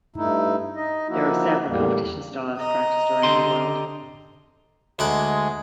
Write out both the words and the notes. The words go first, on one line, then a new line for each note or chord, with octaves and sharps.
There are several competition styles practised around the world.
G2 A3 D#4 E4
D#4 D#5
F3 A#3 D#4 E4 F#4
E2 A2 G3 A#3
D#5 A#5
D3 G4 C6
D2 G#3 F#5 D6